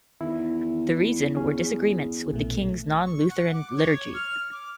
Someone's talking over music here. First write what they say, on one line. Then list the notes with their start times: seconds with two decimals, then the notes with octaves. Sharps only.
The reason were disagreements with the King's non-Lutheran liturgy.
0.21 E2 D#3 E4
1.37 C#4 G#4
2.32 A#1 B2 A3
3.05 C#6
3.29 F#5
3.53 D6
3.77 C#5
4.14 F6
4.52 D6